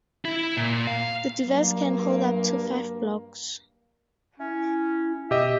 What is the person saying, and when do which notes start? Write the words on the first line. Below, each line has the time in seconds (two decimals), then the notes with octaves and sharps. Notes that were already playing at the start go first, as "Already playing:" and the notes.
The device can hold up to five blocks.
0.25 E4
0.57 A#2
0.87 F5
1.46 G2 F#3 A#3
4.40 C#4 E4
5.31 B2 G4 D#5 E5